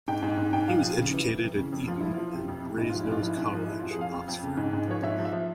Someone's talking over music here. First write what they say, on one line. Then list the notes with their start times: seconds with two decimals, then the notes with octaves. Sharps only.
He was educated at Eton and Brasenose College, Oxford.
0.08 G#2 G5
0.23 G#2
0.37 G#2
0.53 G#2 G5
0.68 F3 F5
0.82 F3
0.97 C#3
1.12 E3
1.28 E3
1.43 F2
1.58 C#3
1.72 F2
1.88 F3 F4
2.00 F3 E4
2.14 F3 F4
2.33 C3
2.48 F2
2.62 C3
2.77 G#2 E4
2.90 F4
2.93 F3
3.00 E4
3.07 G#2 F4
3.18 F4
3.22 F3 E4
3.38 G#2
3.53 F3
3.67 F3 E4
3.79 F4
3.82 F2
3.91 G#4
3.98 F2 F5
4.13 F2
4.28 F2
4.43 C#3
4.57 G#2
4.73 G#2
4.87 F3 C#5
5.03 G#2 E5
5.18 F3
5.25 E5
5.32 F3